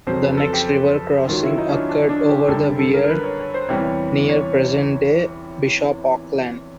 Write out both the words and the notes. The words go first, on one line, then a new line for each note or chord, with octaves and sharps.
The next river crossing occurred over the Wear near present-day Bishop Auckland.
F2 C#3 F#3 C5
B4
A4
G4
F#2 D#3 F#3 F4
E4
D#4
C#4
D4
D4
D4
G4
F#2 D3 G3 A4
A4
A#4
A#4
B4
C#5
C#5
C5
E2 C3 E3 G3 C#5
C#5